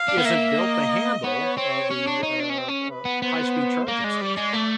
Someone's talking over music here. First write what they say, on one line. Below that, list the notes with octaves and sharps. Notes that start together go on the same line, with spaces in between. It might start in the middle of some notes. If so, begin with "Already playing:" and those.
isn't built to handle, uh, the, uh uh, high-speed charging stations.
Already playing: F5
D4
B3
A#3 E5
D#5
B3 C#5
C4
C#4
D4
D#4
D4
C#4
C4
C#4
B4
B3
B3 C5
A#3 D5
G#3
G3
G#3
A3